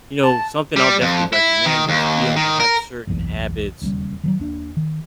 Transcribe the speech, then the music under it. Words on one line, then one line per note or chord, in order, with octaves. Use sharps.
you know, something I'll definitely recommend is, you know, to have certain habits,
A5
G3
F2
E4
D#3
D#2
D#3
A#4
F#1 B1 E2
E1 D#2 C#3 G3
D#3 E3 F#3
D#2 D4
D#3